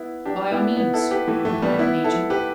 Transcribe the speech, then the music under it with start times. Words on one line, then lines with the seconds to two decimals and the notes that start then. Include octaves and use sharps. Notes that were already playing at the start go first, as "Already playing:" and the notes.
"By all means," replied the major.
Already playing: B3 E4
0.25 D4 G4
0.51 B3 E4
0.77 B3 E4
0.94 E4 A4
1.11 G4 B4
1.28 E3 A3
1.45 E3 A3
1.62 G3 B3
1.79 B3 E4
2.04 E4 A4
2.30 G4 B4